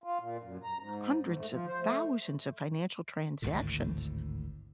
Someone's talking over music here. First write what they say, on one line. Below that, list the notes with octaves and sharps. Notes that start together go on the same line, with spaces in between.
hundreds and thousands of financial transactions,
F4
A#2
F#2
A#5
G#2
G#2
A3
F3
C5
A3
G#1 D2 A2 D3